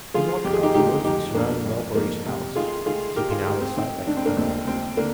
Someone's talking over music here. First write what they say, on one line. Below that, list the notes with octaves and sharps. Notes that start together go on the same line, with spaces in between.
He walked about the woods that surrounded Melbury's house, keeping out of sight like a criminal.
F3 F4 G#4
F2 G4
G#4
D#4 G4
D3 D#4 G4
F2 D#4 G4
F2 A#3 D4
F2
F2 A#3
C3
D#3 F4 G#4
D#3 F4 G#4
D#3 G4 A#4
F4 G#4
D#3 D#4 G4
C4
D#3 C4
D#3 D4
C4
A#3 D4
D#2 C4
D#2 C4
D3 A#3 D4